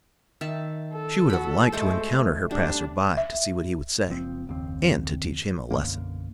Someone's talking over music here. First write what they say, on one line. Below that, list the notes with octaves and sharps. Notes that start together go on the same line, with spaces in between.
She would have liked to encounter her "passer-by," to see what he would say, and to "teach him a lesson!"
D#3 E5 A5
A4
F#4 B5
G#3 A3 C5
G3 D4
E5
F#1 F3 C4
F#1 D#2 C4
B1 F#2 D3 A#3